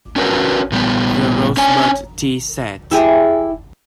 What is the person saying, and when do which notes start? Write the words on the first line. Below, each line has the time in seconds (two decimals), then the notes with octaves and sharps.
The rosebud tea set!
0.16 C#4 D4 F#4 A#4 B4
0.72 A#2 G3 B3
1.57 C#4 D4 C#5 D5 G#5
2.91 E4 G4 G#4